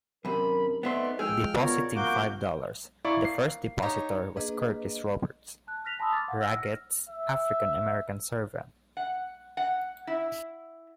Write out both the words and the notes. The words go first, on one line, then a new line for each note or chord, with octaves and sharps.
Depositing five dollars, the first depositor was Curtis Roberts, Raguet's African American servant.
F#2 C3 D#3 D4 A#4 B5
A3 B3 C4 D#4 C5 D5 E5 C6
F3 G#3 G#4 G5 E6 F6
B2 B3 F4 A#4 C#5 D5
G2 C3 F3 A#3 F#4 D6 G6
A#3 E4 D5 C#6
C7
D#4 G4 C#5
A#3 D4 G#4 B4 D#5
A5 F#6
F6 F#6 A#6 B6 F7
G#5 A5 B5 C6 D#6 E6
C6 D6 F6 A6
F5 F#5
E6 F6 A#6
E5
F#5
F#5
E4